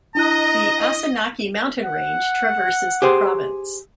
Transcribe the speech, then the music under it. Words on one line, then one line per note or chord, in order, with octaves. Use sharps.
The Asanaki mountain range traverses the province.
D4 E4 D#5 A#5 F#6
F#5
G4 G#4 C5